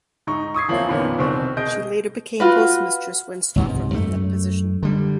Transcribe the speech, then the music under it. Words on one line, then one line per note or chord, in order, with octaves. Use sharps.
She later became postmistress when Stauffer left that position.
G#2 D#4 C#6
C#6 D#6 G#6 C7
E3 F3 A#3 C4 C#4 F4
F2 A#2 D#3 F3 B3 C#4
C2 B2 D#3 C4 C5 C#6
B2 G#4 D#5 G6 D7
F4 F#4 B4
C#2 G#2 C3
F#2 A3
D3 G3